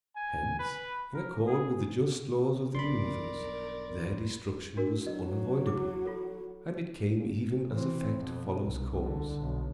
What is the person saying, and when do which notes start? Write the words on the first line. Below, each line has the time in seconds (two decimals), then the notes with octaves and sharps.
Hence in accord with the just laws of the universe their destruction was unavoidable, and it came even as effect follows cause.
0.16 G#5
0.59 B4
1.14 A#4
1.47 G#4
2.75 B1 G2 A#4 D5 B5 C6
4.77 D4 F#4 A#4
5.06 F#3 D#5
5.66 E4 G#4 D6
6.06 F4 A4
7.69 E3 C4
8.17 F2 B2
8.62 C2
9.03 D3
9.41 B1